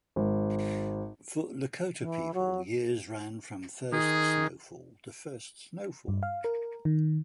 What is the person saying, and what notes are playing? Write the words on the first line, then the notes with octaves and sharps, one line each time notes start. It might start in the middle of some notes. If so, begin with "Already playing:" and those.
For Lakota people, years ran from first snow fall to first snowfall.
G#1
E3
F#3
D#3 G#4
G2
F5
A#4
D#3